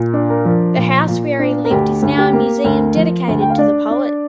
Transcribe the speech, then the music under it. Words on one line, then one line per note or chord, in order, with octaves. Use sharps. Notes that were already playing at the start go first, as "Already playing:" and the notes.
The house where he lived is now a museum dedicated to the poet.
Already playing: A#2
D4
A#4
F3
A#2
A#2
D4
A#4
D2 G4
D2
G4
A#3
D2 A#4
F3
D2
G5
F5
D4 D5
D4